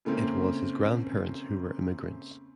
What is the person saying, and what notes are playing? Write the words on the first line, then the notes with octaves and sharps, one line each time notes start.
It was his grandparents who were immigrants.
C#3 A3 A#3 C4 C#4